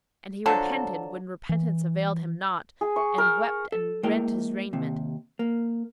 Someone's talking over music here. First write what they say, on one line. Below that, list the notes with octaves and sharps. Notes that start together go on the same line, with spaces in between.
And he repented when repentance availed him naught, and wept and rent his raiment.
D3 F3 F#3 A4
E3
G#4
C#6
A#4
A4
G#3 A#3 E4 A#4 G5
D#2 C3
A#3